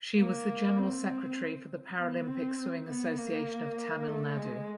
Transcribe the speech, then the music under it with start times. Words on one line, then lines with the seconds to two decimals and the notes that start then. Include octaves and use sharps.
She was the General Secretary for the Paralympic Swimming Association of Tamil Nadu.
0.18 A#3
0.78 C4
1.98 B3
2.28 C4
2.88 B3
3.18 A#3
4.07 A3
4.37 G#3